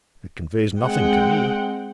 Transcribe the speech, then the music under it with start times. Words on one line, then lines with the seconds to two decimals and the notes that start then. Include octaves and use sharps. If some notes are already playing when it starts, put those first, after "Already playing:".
"It conveys nothing to me!"
0.80 G#3 C4 F#5 G5